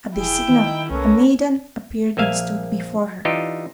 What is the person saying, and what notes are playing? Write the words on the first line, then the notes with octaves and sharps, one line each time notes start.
At this signal a maiden appeared and stood before her.
E1 E4 G#4 G5
D#3 D#4
C2 A#3 C#4 A4 B4 C#5
A#1 A#3 E5 F5 G#5
E3 D4 D#4 F4 G4 D#5